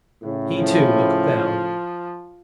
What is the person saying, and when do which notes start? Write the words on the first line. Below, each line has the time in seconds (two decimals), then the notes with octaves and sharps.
He too, looked down.
0.24 A2 C#3
0.60 F3